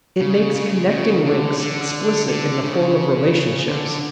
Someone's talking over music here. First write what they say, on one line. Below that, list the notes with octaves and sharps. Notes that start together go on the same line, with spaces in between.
It makes connecting links explicit in the form of relationships.
C#3
C#3
C#3
D3
D3
D3
C#3
D3